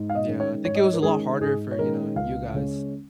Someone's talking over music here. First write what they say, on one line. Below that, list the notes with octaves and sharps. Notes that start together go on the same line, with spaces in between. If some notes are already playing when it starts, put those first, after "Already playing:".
Yeah, I think it was a lot harder for, you know, you guys
Already playing: G#2
F5
D#5
D#3 G#3 C#4
C#5
G#2 C#5
D#5
C#5
A#4
D#3 G#3 C#4 G#4
G#2 G#4
C#5
D#3 G#3 C#4 A#4
C#2 F5
C#3 G#3 C#4